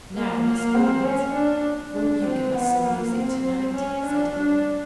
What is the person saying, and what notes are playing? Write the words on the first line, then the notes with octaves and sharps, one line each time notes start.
'Now, Miss Wilmot, won't you give us some music to-night?' said he.
A#3
A#3
C4
C#4
D4
D4
C4
B3
A#3
C4
C#4
D4
D4